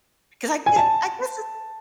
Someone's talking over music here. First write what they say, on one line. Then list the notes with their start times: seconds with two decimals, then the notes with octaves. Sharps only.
'Cause I get I guess it's
0.66 G#5
0.76 A5